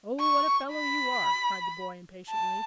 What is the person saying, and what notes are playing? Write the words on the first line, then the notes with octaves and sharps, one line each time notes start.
"Oh, what a fellow you are!" cried the boy impatiently.
C#6
B5
A5